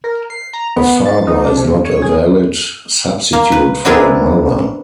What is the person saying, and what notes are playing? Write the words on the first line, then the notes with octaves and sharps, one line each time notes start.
A father is not a valid substitute for a mother.
A#4
C7
A#5
B3
A6
D#4
D4
C3
G2
C#5
G#4
A#3
B4
B3 C4 D4 E4 G#4 A#4